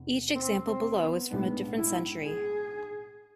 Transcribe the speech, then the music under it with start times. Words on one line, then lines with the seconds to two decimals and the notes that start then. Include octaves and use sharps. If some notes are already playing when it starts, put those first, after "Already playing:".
Each example below is from a different century.
Already playing: F1 E2
0.35 C4
0.67 C4
0.98 B3
1.30 B1 A2 G#3 B3 D4
1.78 E4
2.25 G#4